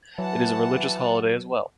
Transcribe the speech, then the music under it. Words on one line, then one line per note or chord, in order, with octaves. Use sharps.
It is a religious holiday as well.
E3 F#3 F#5 A5